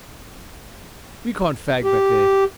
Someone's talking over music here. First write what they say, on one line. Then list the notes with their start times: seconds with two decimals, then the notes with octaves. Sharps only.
We can't fag back there.'
1.84 G4